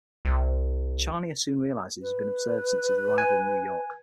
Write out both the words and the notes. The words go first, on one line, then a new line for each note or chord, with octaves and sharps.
Charnier soon realizes he has been observed since his arrival in New York.
C2
B4
G#5